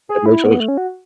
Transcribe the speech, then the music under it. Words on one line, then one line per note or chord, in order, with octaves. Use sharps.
that makes sense.
G#4
E4
B3
A3
C#4
F#4